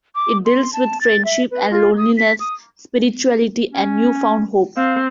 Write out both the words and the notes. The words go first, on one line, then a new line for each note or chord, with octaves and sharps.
It deals with friendship and loneliness, spirituality and newfound hope.
D6
C6
A5
A6
E5
B4
F4
D#6
B6
D#6
C#4
C4 F5